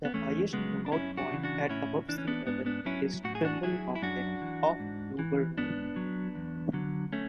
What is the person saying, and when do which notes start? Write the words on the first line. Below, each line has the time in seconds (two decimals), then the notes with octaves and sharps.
The highest lookout point, at above sea level, is Trimble Mountain, off Brewer Road.
0.05 B3
0.14 E2 A3 C#4
0.53 C#3 F#3 G#3 B3
0.86 D4
0.92 F#2 C#4 E4
1.17 D4 F#4
1.31 C#3 E3
1.44 D4 F#4
1.69 A2 C#4 E4
2.09 E3 D4
2.18 C#4
2.27 B3 D4
2.47 G#2 B3 D4
2.66 B3 D4
2.85 F#3 C#4 E4
3.24 A2 F#4
3.35 G#4
3.45 D4 F#4
3.63 F#3 E4 G#4
3.95 E4
4.02 F#2 D4 F#4
4.41 E3
4.80 G#2
5.19 E3
5.58 G#2 B3 D4
5.96 F#3
6.35 E2
6.73 D3 F#3
7.13 A3 C#4